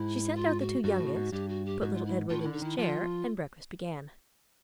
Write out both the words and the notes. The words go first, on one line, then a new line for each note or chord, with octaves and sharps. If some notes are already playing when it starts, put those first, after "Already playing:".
She sent out the two youngest, put little Edward in his chair, and breakfast began.
Already playing: G#2 E4
F4
F#4
G2 F#4
A2
G#2
G2 G4
F#4
G4
G#2 F#4
F4
E4
A2 F4
D3 E4
D#4
D#3 E4
F3 F4